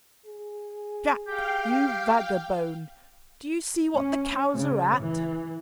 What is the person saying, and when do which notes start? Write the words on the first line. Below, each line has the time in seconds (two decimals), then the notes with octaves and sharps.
"Jack, you vagabone, do you see what the cows are at?"
0.26 G#4
1.27 G4 F5 G5
3.96 C#4
4.54 C#3
5.00 E3